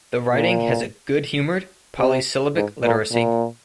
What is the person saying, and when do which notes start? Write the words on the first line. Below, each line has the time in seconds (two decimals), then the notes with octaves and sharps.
The writing has a good-humored polysyllabic literacy.
0.32 A#2
1.99 C3
2.55 G#2
2.84 A#2
3.11 A#2